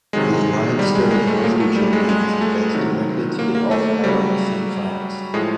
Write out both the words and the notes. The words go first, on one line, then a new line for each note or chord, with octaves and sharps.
The Leinster and Munster champions advanced directly to the All-Ireland semi-finals.
C3 D#3 F#3 G#3
G3
G#3
G#3
A3
A#2 F#3 A#3
A3
G3
G#3
G#3
A3
C3 D#3 F#3
A#3
A#3
A3
C#3 F#3 G3
A2 F3 G#3